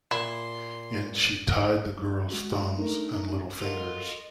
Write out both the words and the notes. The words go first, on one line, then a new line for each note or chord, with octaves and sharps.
And she tied the girl's thumbs and little fingers.
A#2 E4 C6
G#3 F#4
A3 D4 D#4 A#4
F4 F#4 A4 A#4 D#5